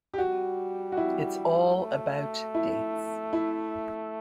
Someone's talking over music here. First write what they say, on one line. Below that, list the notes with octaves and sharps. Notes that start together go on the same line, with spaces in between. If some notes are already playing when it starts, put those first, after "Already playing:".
It's all about dates.
G4
G3 F#4
F#4
E4
A3
E4
E4